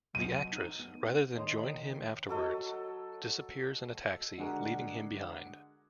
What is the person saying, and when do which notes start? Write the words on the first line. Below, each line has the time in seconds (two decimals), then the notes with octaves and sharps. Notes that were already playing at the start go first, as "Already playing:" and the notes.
The Actress, rather than join him afterwards, disappears in a taxi, leaving him behind.
0.15 B2 F#3 D#5 D#7
0.53 D#4
0.79 B3
1.36 D#3 D#4 C#5 C6
2.29 F#3 A4 D#5
4.38 D3 G#3 D4 F#4 G#4 A#4